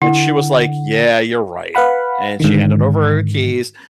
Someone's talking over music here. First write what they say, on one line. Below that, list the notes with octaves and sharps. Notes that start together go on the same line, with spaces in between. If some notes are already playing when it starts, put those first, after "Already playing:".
and she was like, "Yeah, you're right," and she handed over her keys,
D3 E4 F#5
B4 F5 F#5 B5
G#2 D3 D#3